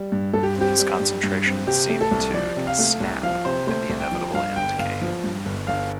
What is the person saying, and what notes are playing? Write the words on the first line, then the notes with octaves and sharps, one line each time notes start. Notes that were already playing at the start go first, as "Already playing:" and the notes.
His concentration seem to snap and the inevitable end came.
Already playing: G3
G2
G2 A4
G4
C4 G4
G3
G2
G2
C4
C3 G4
A3
A4
C2
F3 D5
C3
F5
A3
C2
F3 F5
C3 C5
A3 C5
C2
G5
F3
G2 F5
G1 G5
G1 F5
F3
G2
G1
G1 F5